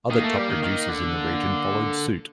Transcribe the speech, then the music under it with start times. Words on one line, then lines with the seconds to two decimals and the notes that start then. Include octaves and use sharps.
Other top producers in the region followed suit.
0.10 D#3 A#3
0.23 A3
0.37 G3
0.50 D#3
0.62 D#3
0.88 D3
1.15 A#3